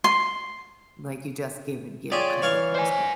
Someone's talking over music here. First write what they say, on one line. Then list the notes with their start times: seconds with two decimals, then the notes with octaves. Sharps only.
Like, you just give and give kinda person.
0.04 C6
2.12 F4 G4 G#4 C#5 D5
2.42 E3 C#5 F5 C#6
2.75 C5 G#5